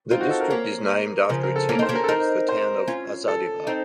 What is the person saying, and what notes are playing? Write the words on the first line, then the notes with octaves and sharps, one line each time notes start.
The district is named after its headquarters, the town of Hazaribagh.
C4 D#4 F4
F#4
A4
A#4
A#3 C#4
C#3 F3 A#4
A#4
A4
A#3 C#4 A#4
C4 D#4 C5
A#3 C#4
A#4
A4
C4 D#4 A#4
C5
C#4 F4
A4
C4 D#4